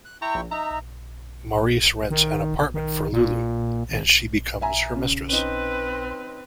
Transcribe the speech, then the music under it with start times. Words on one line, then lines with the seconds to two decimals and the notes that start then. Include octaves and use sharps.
Maurice rents an apartment for Lulu and she becomes her mistress.
0.05 F#6
0.22 E4 G5 A#5 C#6
0.34 A#1
0.51 D#4 E5 A#5
2.10 D#3
2.74 D#3
3.12 A#2
3.89 G#1
4.61 E5 G#5 A#5
4.95 C#3
5.29 C4 C#4 D#4 B4